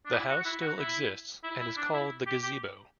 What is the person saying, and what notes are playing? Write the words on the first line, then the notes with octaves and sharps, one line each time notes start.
The house still exists and is called the 'Gazebo'.
D4
E4
F#4
F#4
E4
F#4
E4
E4
E4
D4
E4
G4
G4